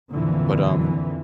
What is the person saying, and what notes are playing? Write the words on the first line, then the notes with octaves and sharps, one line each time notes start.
but um,
F2 A#2 D3 E3